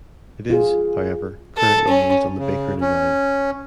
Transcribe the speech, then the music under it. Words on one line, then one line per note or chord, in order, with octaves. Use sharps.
It is, however, currently used on the Bakerloo line.
F4 G#4
A4
C#4
C#3
C#4